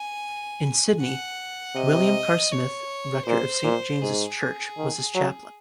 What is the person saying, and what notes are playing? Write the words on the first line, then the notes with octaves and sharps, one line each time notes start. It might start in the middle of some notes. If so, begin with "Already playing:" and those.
In Sydney, William Carr Smith, rector of Saint James' Church was his chaplain.
Already playing: G#5
F#5
C3 D#5
C#5
A#2 C5
A#2
G#2 G#4
D#3
F#3